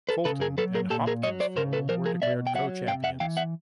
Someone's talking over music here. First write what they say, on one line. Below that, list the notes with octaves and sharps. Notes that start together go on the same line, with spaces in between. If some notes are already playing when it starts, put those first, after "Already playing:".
Fulton and Hopkinsville were declared co–champions.
A4 B4
C#3 A4 B4
G#4 A#4
F#3 A4 B4
G#4 A#4
A#2 G4 A4
G#4 A#4
F#3 C#5 D#5
C5 D5
C#3 A#4 C5
A4 B4
F3 A#4 C5
G#4 A#4
B2 D5 E5
G5
F#3 E5 F#5
C3 F5 G5
E5 F#5
E3 F5 G5
E5 F#5